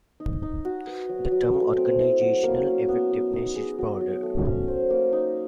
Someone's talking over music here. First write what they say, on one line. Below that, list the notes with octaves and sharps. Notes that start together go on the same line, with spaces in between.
The term Organizational effectiveness is broader.
D#4
D#4
F#4
B4
F#3
F#3
A3
C4
E4
F#3
A#3
C#4
B3
B3
D#4
G#4
F#3
F#3
A3
C#4
C5
A#3
D#4